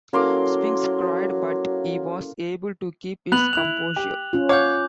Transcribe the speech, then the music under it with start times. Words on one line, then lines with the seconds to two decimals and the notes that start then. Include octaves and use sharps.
Spinks cried, but he was able to keep his composure.
0.13 F#3 A#3 C#4 E4 A4 C6 D6
3.32 B3 F#6 F7 F#7
3.53 E4 F#6 F7
3.96 G4
4.33 C#4 F4
4.49 C#5 F5 F#5 D6 G6